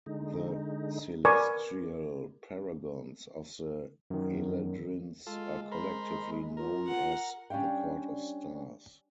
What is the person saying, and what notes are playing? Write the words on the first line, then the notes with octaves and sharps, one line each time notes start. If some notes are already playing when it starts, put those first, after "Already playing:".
The celestial paragons of the eladrins are collectively known as The Court of Stars.
D3 G#3 D#4
A#4 B4 D5 G#5 C#6
F#2 D#3
G#3 F4 A4
A#4 C5 B5
F4 A#4
F#5
G3 C#4 D4 F5 G5